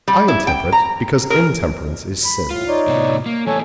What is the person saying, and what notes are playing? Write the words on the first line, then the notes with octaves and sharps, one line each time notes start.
I am temperate because intemperance is sin.
G3
E4
G5
A#5
A#4
B5
A2 F4
D#4 C#5 D5
A2 C3 B3
A#3
E3 A3 B3 A4 C#5 G#5